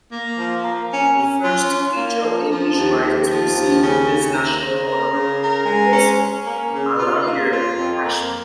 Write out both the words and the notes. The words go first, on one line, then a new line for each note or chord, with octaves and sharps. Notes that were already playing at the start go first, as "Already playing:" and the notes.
The first major English writer to receive this national honour was Alamgir Hashmi.
A#3
F3
A#3
C#4
C#4
F4
C#4
A#3
F3
F3
D#2
D#2
F3
D#2
C#3
D#2
A#4
C#3
A#4
C#3
A#4
G#3
C#4
C#4
A#3
C#3
F4
A#3
F4
F2
A#3